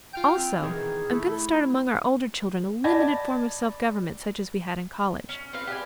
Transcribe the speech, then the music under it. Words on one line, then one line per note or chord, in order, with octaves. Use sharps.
Also I am going to start among our older children a limited form of self-government such as we had in college.
F4 G5 F6 D7
C4
B2 D#3 E3 G#4
A3 E4
D5 D#5 A5 B5 G#6 A#6
C#4
C4 F4 B4 F5
G4 B4 D#5 G#5